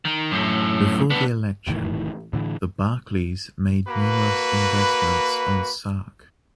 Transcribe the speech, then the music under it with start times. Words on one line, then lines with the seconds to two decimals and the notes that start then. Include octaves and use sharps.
Before the election, the Barclays made numerous investments on Sark.
0.05 D#3
0.31 F#2 A2
1.10 B3 D4
1.67 F1 A2 D#3 E3
2.33 A2 D3 E3
3.88 A#3 F#4 B4